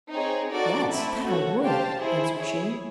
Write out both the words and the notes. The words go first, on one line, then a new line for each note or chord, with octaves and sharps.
'Yes, that I would!' answered she.
C4 D#4 G#4 C#5
D#4 F#4 A4 D5
A3 C4 E4
F#4 A4 C#5
G4 C5 F5 A5
E4 G#4 C5
E4 G#4 C#5